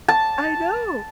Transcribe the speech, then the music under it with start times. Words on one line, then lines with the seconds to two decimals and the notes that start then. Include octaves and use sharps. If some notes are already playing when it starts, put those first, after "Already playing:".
I know.
0.08 A5